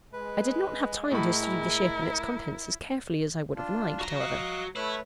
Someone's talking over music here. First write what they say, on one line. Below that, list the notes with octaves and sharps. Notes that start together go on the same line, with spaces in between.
I did not have time to study the ship and its contents as carefully as I would have liked, however.
G#3 B4
A2 E4 A#4 B5
D4 F4
F#4 A#5
D#5 F5 F#6
A3 E4 B4 C#5